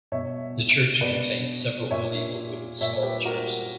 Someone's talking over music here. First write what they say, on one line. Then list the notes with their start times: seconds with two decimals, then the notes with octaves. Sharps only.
The church contains several medieval wooden sculptures.
0.12 B2 C#5 E5
1.01 B2 B4 D5
1.91 A#2 C#5 E5
2.81 A#2 C#5 E5
3.03 G4 B4
3.25 F#4 A#4